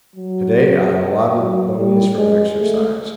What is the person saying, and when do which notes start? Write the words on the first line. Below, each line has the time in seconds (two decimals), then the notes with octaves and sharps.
To-day I allotted the ponies for exercise.
0.15 F#3
1.36 F#3
1.77 G3
2.17 G#3
2.57 A3